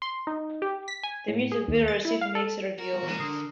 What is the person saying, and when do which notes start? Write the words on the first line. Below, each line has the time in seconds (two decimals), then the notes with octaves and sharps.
The music video received mixed reviews.
0.02 C6
0.27 D#4
0.62 G4
0.88 B6
1.03 G#5
1.28 A2
1.52 G#4
1.68 D#2
1.88 A6
2.05 E4
2.21 F5
2.35 A4
2.79 F#4 A#4
3.03 E2 B2
3.20 D3 D#6 C7